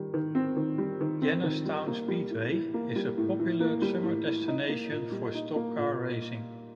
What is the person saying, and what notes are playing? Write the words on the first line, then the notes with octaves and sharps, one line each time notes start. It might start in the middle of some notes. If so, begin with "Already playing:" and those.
Jennerstown Speedway is a popular summer destination for stock car racing.
Already playing: D#3 G3
D#3
C4
D#3
G3
D#3
C4
D#3
G3
A#3
G3
A2
E3
A#3
G3
A2
E3
A#3
G3
A2
E3
D#4
A#3
A#2
G3
D#4
A#3
A#2